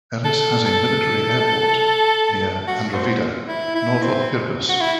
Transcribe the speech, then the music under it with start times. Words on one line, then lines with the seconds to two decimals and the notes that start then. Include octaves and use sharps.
Elis has a military airport near Andravida, north of Pyrgos.
0.25 A4
0.66 A4
2.67 F#4
2.94 C4
3.48 E4
3.75 E4
4.02 C4
4.69 F#4
4.81 E4